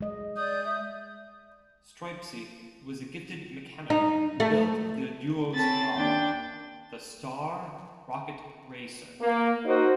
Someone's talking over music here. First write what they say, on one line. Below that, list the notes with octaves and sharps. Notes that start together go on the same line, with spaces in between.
Stripesy was a gifted mechanic who built the duo's car, the Star Rocket Racer.
G#3 D#5
D5 D#6 G6
E5
D#4
A3
C4 C#4 A5 B5 A6
D#2 D4 G5 A6
A#3
D#4 F#4 A#4 C5